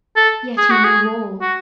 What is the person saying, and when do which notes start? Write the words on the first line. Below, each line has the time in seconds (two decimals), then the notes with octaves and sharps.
Yet he knew all.
0.16 A4
0.57 G#4
0.71 F#4
0.84 G#4
1.41 F#4